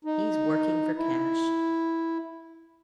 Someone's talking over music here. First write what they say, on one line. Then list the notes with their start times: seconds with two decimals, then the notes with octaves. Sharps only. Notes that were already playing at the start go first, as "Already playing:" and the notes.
He's working for cash.'
0.05 D#4
0.96 E4